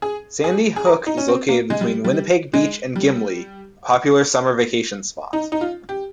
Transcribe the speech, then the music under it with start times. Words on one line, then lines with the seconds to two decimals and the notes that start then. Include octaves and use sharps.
Sandy Hook is located between Winnipeg Beach and Gimli, a popular summer vacation spot.
0.02 G#4
0.44 G#4
0.76 G#4
0.87 A#4
1.07 D#4
1.17 C#4
1.28 C4
1.49 A#3
1.70 G#3
1.81 G3
2.04 G3
2.54 G#3
2.96 G3
5.33 D#4
5.52 D#4
5.61 F4
5.89 G4